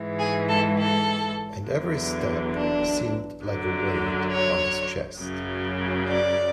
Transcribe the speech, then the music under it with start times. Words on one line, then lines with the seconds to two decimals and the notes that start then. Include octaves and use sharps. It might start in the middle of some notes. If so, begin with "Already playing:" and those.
And every step seemed like a weight on his chest.
Already playing: G#2 E3 G#3
0.19 G#4
0.48 A4
0.77 A4
1.66 E2 D3 F#3
2.54 D4
3.43 F#2 D3 F#3
4.30 C#5
5.19 F#2 C#3 F#3
6.08 D5